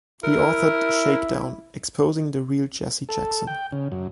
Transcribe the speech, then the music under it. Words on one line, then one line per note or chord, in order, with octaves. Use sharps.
He authored Shakedown: Exposing the Real Jesse Jackson.
E4 A#4
A4
G5
C#3
F#2